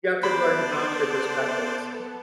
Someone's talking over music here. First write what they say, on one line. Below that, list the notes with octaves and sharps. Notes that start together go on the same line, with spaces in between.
You have to learn to balance your perspectives.
B3 A4 C5 D5 B5